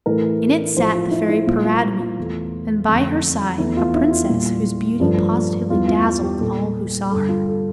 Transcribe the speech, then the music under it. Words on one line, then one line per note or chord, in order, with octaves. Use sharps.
In it sat the Fairy Paridamie, and by her side a Princess whose beauty positively dazzled all who saw her.
A2 E3 A3 A#4
A2 F3 A3 C5
F4
E4
E4
A#2 G3 F4
F4
F4
F4
E2 E3 A3
F2 D3 F3 A3
E2 E3 A3 E4
F4
E4
F4
A#2 G3
G2 F3 A3
E2 E3 G3 F4
F4
F4
G4
A#2 G3 A4
G2 D3 G3 A4
F4
A4